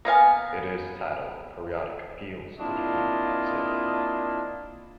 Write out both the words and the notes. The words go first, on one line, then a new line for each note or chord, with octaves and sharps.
It is titled Periodic Appeals to the People Considered.
A#3 B3 F5 G#5
A#3 C4 D4 E4 F4 D#5